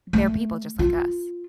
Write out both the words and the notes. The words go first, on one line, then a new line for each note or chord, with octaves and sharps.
there're people just like us.
A3
F4